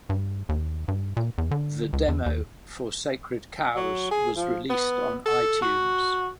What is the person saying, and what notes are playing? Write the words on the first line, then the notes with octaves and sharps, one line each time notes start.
The demo for "Sacred Cows" was released on iTunes.
G2
D#2
G2
A#2
E2
D3
C#2
E2
D#2
F#3
G#4
F3
B3
A4
F#4